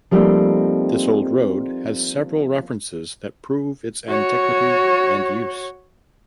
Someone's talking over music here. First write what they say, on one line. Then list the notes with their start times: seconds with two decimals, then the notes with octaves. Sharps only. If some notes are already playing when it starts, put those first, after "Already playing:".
This old road has several references that prove its antiquity and use.
0.11 F3 G3 A3 A#3 C4 D#4
4.09 F#4 C#5